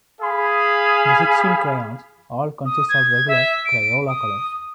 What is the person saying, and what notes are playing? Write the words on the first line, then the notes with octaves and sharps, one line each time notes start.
The sixteen crayons all consisted of regular Crayola colors.
G#4 F5 B5
D#6
G#6
E5
D7
D#6